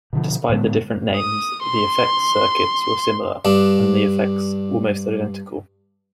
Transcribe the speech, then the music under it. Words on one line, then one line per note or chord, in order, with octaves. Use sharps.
Despite the different names, the effects circuits were similar, and the effects almost identical.
B2 D3 F3
A2 D3 G#3 B3
D#6
C6
G2 D4